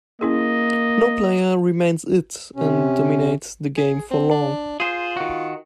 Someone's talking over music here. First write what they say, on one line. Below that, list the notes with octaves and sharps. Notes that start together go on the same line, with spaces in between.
No player remains "it" and dominates the game for long.
A#3 C#4 E4 G#4 D#5
C3 C#4
G#4
C4
D4
F4 G#4 C5
D#3 F#4